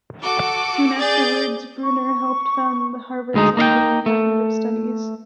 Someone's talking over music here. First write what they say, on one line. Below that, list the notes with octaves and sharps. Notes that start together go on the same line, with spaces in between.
Soon afterwards Bruner helped found the Harvard Center of Cognitive Studies.
F#4 A4 D6
G#4 D5 G6 A6
C#6
D2 G#3 D#4
A#3 D#4 F5 G5
A3